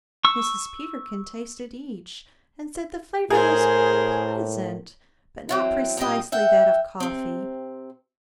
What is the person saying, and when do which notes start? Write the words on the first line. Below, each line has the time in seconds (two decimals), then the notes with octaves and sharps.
Mrs. Peterkin tasted each, and said the flavor was pleasant, but not precisely that of coffee.
0.25 C#6 E6
3.30 A2 G#4 A#4 C5
5.49 E3 F#3 C4
5.97 G2 A#2 C4 F4 G4 D#5
6.32 E5 F#5 G5
7.00 C3 C4